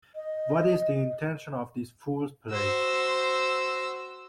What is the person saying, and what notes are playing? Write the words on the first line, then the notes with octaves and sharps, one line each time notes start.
What is the intention of this fool's play?
D#5
F#4 C5 E6